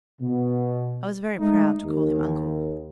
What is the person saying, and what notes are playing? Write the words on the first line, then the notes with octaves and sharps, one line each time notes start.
I was very proud to call him uncle.
B2
G#3 A3 D#4
D#2